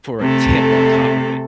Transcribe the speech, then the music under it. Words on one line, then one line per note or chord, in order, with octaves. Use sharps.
for a tip on top of it?
C3 A3 A4